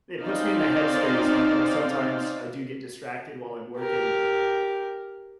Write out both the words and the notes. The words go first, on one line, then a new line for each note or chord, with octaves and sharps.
it puts me in the headspace and, you know, sometimes I do get distracted while I'm working,
C4 C#4 D#4 C5 D5 F5
G4 A#4